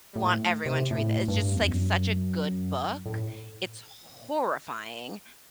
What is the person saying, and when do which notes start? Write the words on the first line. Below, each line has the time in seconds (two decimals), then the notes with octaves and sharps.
want everyone to read the it's just like such a good book. It's horrifying,
0.16 A2
0.66 C3
0.91 A2
1.28 G2
1.55 E2
1.67 F#2
3.06 A2